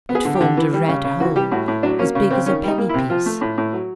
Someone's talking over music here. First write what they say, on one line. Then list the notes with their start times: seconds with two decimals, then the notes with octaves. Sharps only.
It formed a red hole, as big as a penny piece.
0.09 B3
0.15 G#4
0.25 D3
0.35 G4
0.41 D3
0.57 E3
0.73 G3
0.88 C#3
1.04 C#3
1.20 E3 F#4
1.36 G3 G4
1.51 A2 F#4
1.68 A2
1.83 F#3 D4
1.99 A#3 C#4
2.15 C#3
2.30 C#3 C4
2.46 D#3 C#4
2.63 G3 D#4
2.78 A#3
2.89 E4
2.94 C3
3.10 F3 F4
3.26 A3
3.41 A2
3.58 A2
3.73 F#3